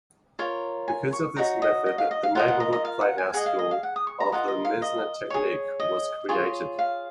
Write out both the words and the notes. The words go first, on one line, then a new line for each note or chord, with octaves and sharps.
Because of this method the Neighborhood Playhouse School of the Meisner Technique was created.
F4 A#4 C#5
G#5
C#6
D#4 F#4 C#5 A#5
D#5
D#5
F5
D#5
F5
F4 A#4 D#5 F#5
F#5
D#5
D#5
F5
F#5
G#5
G#4 D#5 F#5
F5
D#5
F5
F#5
D#6
C#6
A#5
F4 A#4 D#5 F#5
D#5
F5
D#5
G#4 C#5
D#5
F4 G#4 C#5
F5